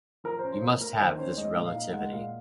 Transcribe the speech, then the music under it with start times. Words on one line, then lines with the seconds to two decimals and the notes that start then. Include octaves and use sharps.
You must have this relativity.
0.24 F3 A#4
0.39 C#4 C5
0.52 C5
0.61 A#3
0.80 A#3 A#4
1.00 D#3 C5
1.18 C#4 C5
1.37 G#3 D#5
1.57 A#2
1.66 F5
1.75 D#4
1.93 G#3 F#5
2.13 A#2 F5